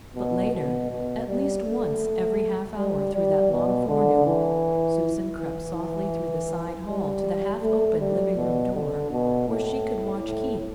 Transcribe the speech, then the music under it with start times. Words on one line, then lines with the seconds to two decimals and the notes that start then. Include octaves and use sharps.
But later, at least once every half-hour through that long forenoon, Susan crept softly through the side hall to the half-open living-room door, where she could watch Keith.
0.15 B2
0.52 B2
0.90 B2
1.27 G3
1.64 A3
2.76 G3
3.14 G3
3.51 B2
3.88 D3
4.26 E3
5.38 E3
5.75 E3
6.87 G3
7.62 A3
7.99 G3
8.36 B2
8.74 D3
9.11 B2
9.48 A2
10.23 A2